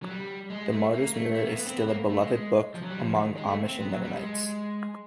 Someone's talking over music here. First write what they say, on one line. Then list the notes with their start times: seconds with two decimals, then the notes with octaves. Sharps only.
The "Martyrs Mirror" is still a beloved book among Amish and Mennonites.
0.03 F#3
0.09 G3
0.50 G#3
0.72 A3
0.93 A#3
1.13 A3
1.34 A3
1.45 A#3
1.56 B3
1.66 C4
1.77 B3
1.88 A#3
2.09 A3
2.20 G#3
2.74 F3
2.82 F#3
2.90 G3
3.00 F#3
3.04 F3
3.15 D#3
3.37 G#3
3.47 A3
3.67 C4
3.78 B3
3.89 F#3
4.03 G3
4.16 G#3